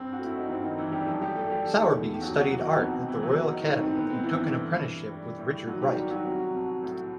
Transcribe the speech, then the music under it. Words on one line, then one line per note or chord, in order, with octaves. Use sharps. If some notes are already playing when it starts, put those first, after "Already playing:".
Sowerby studied art at the Royal Academy and took an apprenticeship with Richard Wright.
Already playing: G2 C4
F#4
A3 E4
D#4
G2 C4
D#3 D#4
G2 E3 E4
G3 G4
F#2 A3 A4
G3 G4
A3 A4
G3 G4
D#3 A4
A3 A4
E2
G4
F#2 F#3 F#4
F#3 F#4
E3
D#3 D#4
B3
C2 C4
B2 E3 E4
F#3 F#4
A2
D#3 D#4
A2 D#3 D#4
C4
A3 B3
C4
G2 E3 E4
E3 E4
A3
G2
G3
A2
D#3 F#3 F#4
G3 G4
D#3
F#3 F#4
C3
C2
A2